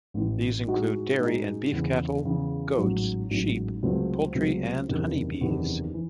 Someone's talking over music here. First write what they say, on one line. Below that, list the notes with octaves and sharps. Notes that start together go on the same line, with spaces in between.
These include dairy and beef cattle, goats, sheep, poultry and honey bees.
A1 A2 E3
A2 G#3 D#4 F#4
A2 G#3 D#4 F#4
E2 C#3 E3
E2 C#3 E3
A1 G#2 F#3
A1 G#2 F#3
C#2 C3 F#3 A3 C4
C#2 C3 F#3 A3 C4
F#1 E2 C3 D#3
F#1 E2 C3 D#3
E3